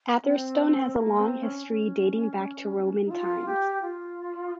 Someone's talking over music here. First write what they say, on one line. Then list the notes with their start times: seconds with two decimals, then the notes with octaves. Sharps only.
Atherstone has a long history dating back to Roman times.
0.23 C4
0.95 A#3
1.19 C4
1.43 C#4
1.67 C#4
3.05 D#4
3.11 F4
3.46 G4
3.82 F4